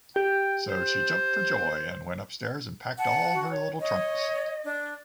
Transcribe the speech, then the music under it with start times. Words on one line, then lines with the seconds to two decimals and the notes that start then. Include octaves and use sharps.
So she jumped for joy; and went upstairs and packed all her little trunks.
0.16 G4 G5
0.69 C5
2.98 F#5 A5
3.33 F#4
3.50 C#5
3.80 C#5 D#5
4.65 D4